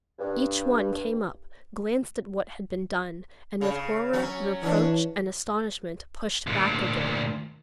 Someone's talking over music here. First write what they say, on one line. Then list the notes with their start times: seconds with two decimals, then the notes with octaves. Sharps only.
Each one came up, glanced at what had been done, and with horror, reproach, and astonishment pushed back again.
0.19 G2
3.61 C#3
4.13 F#3 C#4
4.63 E3 C#4 D4
6.47 D2 A#2